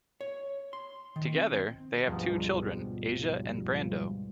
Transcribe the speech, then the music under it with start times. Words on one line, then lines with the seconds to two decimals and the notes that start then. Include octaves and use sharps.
Together, they have two children, Asia and Brando.
0.21 C#5
0.73 C6
1.16 D#3
1.36 C4
2.05 D2 G#2 B2 F3 G3